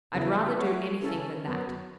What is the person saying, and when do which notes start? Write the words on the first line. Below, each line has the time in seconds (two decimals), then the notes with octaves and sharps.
'I'd rather do anything than that.'
0.12 E2 C#3 F#3 B3 E4
0.56 F#3 A3 F#4 C#5
1.01 C#3 E3 C#4 A4
1.46 F#2 F#3 B3